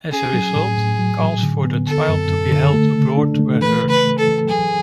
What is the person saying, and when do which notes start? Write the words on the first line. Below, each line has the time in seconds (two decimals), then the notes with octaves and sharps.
As a result, calls for the trial to be held abroad were heard.
0.11 C#4 G#4
0.33 F#3
0.56 A2
0.78 A2
0.99 F#3
1.21 F#3
1.43 D3
1.65 B3
1.86 D3 A4
2.08 F#2
2.30 F#2
2.52 D3
2.73 A3
2.95 C#3
3.17 D4
3.39 A3
3.61 E3 B4
3.82 C#3
3.89 B4
4.05 A3
4.18 A4
4.26 E3
4.47 F#3 G#4